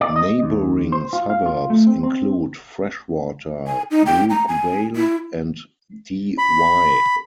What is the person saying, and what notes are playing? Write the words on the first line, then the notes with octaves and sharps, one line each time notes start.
Neighbouring suburbs include Freshwater, Brookvale and Dee Why.
D5
D#5
D#2
C5
F4
F5
F4
A3
C4
C4
G#5
D#4
G5
A#5
G#5
E4
B5